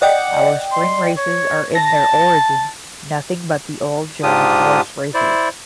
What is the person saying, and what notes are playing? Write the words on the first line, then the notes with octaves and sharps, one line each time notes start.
Our spring races are in their origin nothing but the old German horse-races.
D5 D#5 F#5 G5
C6
C#5
A5 A#6
G#2 D4 F4 G4 D#6
E4 C5 D5